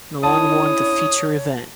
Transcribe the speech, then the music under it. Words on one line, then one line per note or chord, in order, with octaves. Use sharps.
Nalon won the feature event.
C#4 D4 E4 C#5 A5 D#6